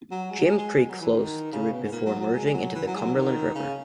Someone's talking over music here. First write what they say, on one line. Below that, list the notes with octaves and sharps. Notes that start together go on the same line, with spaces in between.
Jim Creek flows through it before merging into the Cumberland River.
F#3
G#3
F#3
G#3
G#3
G#3
F#3
E3
D#3
C#3
B2
G#2
A#2
F#3
F#3
G#3
G#3
F#3
E3
F#3
G#3
F#3
D#3
C#3